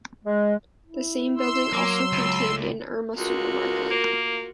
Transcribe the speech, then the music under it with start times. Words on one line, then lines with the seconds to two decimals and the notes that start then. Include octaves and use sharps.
The same building also contained an Irma supermarket.
0.24 G#3
0.86 E4
1.36 C6 E6
1.73 F#3 A#3
2.12 C#2
3.17 C#2 F4 F#4 A#4
3.90 A#3